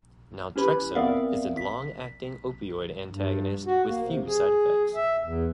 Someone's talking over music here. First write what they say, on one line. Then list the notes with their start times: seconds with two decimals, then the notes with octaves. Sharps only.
Naltrexone is a long-acting opioid antagonist with few side effects.
0.56 C#4 E4 G4 B4 B5
0.95 B3 C4 A#4 D5 E5 F5
1.57 B6
3.10 G2
3.66 F#4
3.88 A#3
4.03 C3
4.27 G#4
4.95 E5
5.23 E2